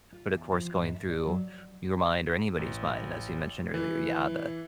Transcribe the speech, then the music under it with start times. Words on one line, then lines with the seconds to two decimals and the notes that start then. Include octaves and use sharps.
but, of course, going through your mind or anybody's mind, as you mentioned earlier, yeah, the
0.12 F4
0.32 E2
0.52 F3
0.78 G#2
0.94 E5
1.10 D5
1.26 F#3
2.59 A1
3.74 E3